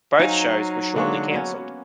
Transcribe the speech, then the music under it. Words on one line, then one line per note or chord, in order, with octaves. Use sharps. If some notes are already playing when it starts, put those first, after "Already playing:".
Both shows were shortly canceled.
F#3 D#4 C5 F5 G#5
D3 G#3 A#3 D4 C#6
A#3 B3 C#4 F#4